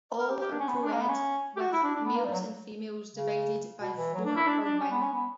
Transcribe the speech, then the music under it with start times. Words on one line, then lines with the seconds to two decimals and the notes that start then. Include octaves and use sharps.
All are co-ed, with males and females divided by floor or wing.
0.19 A#4
0.30 G4
0.40 G4
0.52 D4
0.60 C#4
0.68 B3
0.76 C#4
0.84 D4
0.93 A#3
1.02 B3
1.09 C#4
1.56 G4
1.61 F#4
1.72 E4
1.83 D4
1.95 D4
2.05 B3
2.16 A#3
2.25 G3
2.33 F#3
3.15 C#3
3.81 B2
3.98 E3
4.14 F#3
4.25 D4
4.36 E4
4.47 D4
4.64 D4
4.80 C#4
4.91 B3
5.02 C#4
5.13 B3